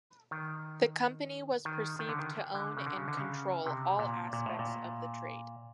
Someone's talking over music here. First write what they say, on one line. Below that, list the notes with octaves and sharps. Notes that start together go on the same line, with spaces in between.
The company was perceived to own and control all aspects of the trade.
D#3
D#3
D#3
D3
D#3
D3
C#3
D3
C#3
D3
C#3
C3
A#2
A#2
A2
A#2